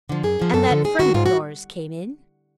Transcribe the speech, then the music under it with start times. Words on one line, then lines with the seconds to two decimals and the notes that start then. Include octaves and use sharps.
"And that friend of yours came in?"
0.09 D3 F3
0.23 F#2 G#4
0.39 D3 F3
0.53 F#2 A4
0.70 D3 F3
0.84 G#2 G#4
0.99 D#3 F#4
1.14 G#2 F4
1.26 F#4